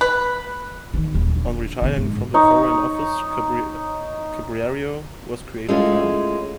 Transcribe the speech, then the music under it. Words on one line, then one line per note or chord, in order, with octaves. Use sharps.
On retiring from the foreign office Cibrario was created count.
B4
D3 D#3
D#1
D3
B2 D3
G#2
D#4 C#5
G#3 A3 C#4 E4 F4